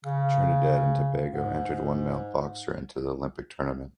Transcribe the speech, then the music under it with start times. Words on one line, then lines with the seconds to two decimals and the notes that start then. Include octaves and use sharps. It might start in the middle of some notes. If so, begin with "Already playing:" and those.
Trinidad and Tobago entered one male boxer into the Olympic tournament.
0.05 C#3
1.32 G#2